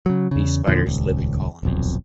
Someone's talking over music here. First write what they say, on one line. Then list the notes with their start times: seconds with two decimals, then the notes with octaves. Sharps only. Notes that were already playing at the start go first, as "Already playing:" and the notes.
These spiders live in colonies.
0.06 C#3 F#3
0.31 E2 C#3
0.67 E2 A#2 D3 F3
0.86 D#1 C#2
1.63 D#1 B1 F2